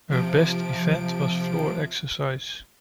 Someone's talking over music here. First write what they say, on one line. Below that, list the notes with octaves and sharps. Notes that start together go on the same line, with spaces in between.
Her best event was floor exercise.
C3 F3 D7